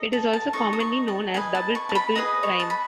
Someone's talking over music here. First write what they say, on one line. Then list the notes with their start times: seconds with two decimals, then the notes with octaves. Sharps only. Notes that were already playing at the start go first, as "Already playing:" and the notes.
It is also commonly known as double triple rhyme.
Already playing: D#4 A4 D#5
0.13 A5
0.33 A5
0.53 D#4 A4 D#5 C#6
0.73 D#6
0.80 C#6
1.08 A5
1.34 G#4 B4 D#5 G#5
1.55 A5
1.75 C#6
1.89 A5
1.95 B5
2.15 G#4 B4 D#5 D#6
2.43 C#6
2.60 A5
2.70 B5